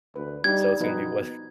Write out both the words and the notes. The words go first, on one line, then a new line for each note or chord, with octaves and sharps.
so it's gonna be wha
D2 B4
G3 D4 D#4 G#6
B2 F3 D#4 B4